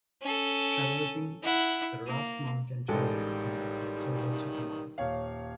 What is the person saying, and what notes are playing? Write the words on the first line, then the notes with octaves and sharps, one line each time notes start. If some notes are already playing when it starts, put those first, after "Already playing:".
Traversing the rough mountain terrain in October took a month.
C#4 A4
E4 F#5
A#3
A1 D#3 G3 G#3 A4
D#1 C#5 F5